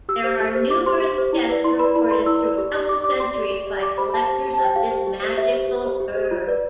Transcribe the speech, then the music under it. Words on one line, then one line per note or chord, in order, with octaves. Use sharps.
There are numerous deaths reported throughout the centuries by collectors of this magical herb.
G4 E6
C5
G4
C5
G4 D6
C5 C6
G4
C5
E4
B4 D5
E4 C6
B4 D5 B5
E4 B5
B4 D5 C6
E4 E6
B4 D5
G4
D5
G4 D6
D5 D6
G4 C6
D5
G4
D5
G4 D6
C5 B5
G4 A5
C5
G4
A5
C5 G5
G4 F5
C5
G4
C5
G4 E5
C5
G4
C5
G4
C5
F4
B4 D5